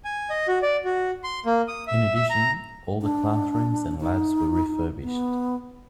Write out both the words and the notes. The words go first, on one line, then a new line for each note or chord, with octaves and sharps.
In addition, all the classrooms and labs were refurbished.
G#5
D#5
F#4
D5
F#4
C6
A#3
D#6
E5
E5
A#5
D4
D#4
B3